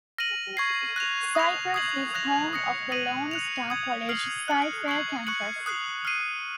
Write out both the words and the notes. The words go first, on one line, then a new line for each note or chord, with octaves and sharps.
Cypress is home of the Lone Star College-CyFair campus.
F6 A#6 D#7 F#7
C#6 G#6 C7
F#6 A#6 F7
D#6 A#6 F7
D#6 G#6 C7 F#7
D#6 F#6 A#6 F7
D#6 A#6 C#7
D#6 A#6 D#7 F#7
F#6 C#7 F7
D#6 G#6 C#7 F#7
F6 C7 F#7
F#6 C#7 F#7
C#6 G#6 C7 F#7
C#6 F#6 C#7 F#7
D#6 F#6 C7
F6 C7 D#7